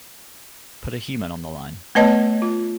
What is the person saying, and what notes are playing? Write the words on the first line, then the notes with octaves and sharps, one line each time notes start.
Put a human on the line.
A3 B3 B4 C#5 D#5 A5
F4